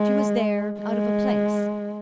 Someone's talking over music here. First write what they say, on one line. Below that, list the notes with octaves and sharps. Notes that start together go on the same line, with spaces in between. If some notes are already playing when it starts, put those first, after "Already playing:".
She was there, out of a place.
Already playing: G#3
G#3